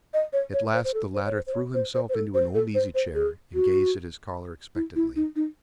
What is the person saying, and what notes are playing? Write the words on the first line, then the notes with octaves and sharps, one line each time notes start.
At last the latter threw himself into an old easy chair and gazed at his caller expectantly.
D#5
C#5
C#5
C5
C5
A4
C5
C#5
C5
C5
C#5
C5
C5
C5
A4
C5
A4
C5
C5
G#4
F#4
E4
E4
D#4
D#4